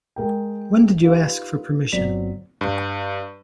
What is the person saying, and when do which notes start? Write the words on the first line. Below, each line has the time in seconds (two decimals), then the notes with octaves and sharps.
When did you ask for permission?
0.16 G#3 A#4 G5
1.03 D#4 F4 G4 B4
1.92 G1 F#3 C4 D5 B6
2.61 G2